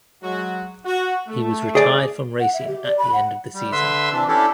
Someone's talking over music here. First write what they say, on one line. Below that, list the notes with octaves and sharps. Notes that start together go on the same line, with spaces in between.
He was retired from racing at the end of the season.
F#3 G#3 F#4
F#4
A3
G#4 D5 G#5
F#5
E5
G4
D5
B5
F#5
G3
D3 B4 E5 C6 E6
C3 E3 D4
C#4 D4 E4 G4 A4